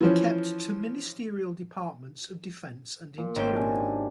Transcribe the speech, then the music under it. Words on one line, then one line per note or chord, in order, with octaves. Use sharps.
He kept to ministerial departments of defence and interior.
E3 F3 C#4
A#2
G#1 C#4 G5
C3 D4 G#5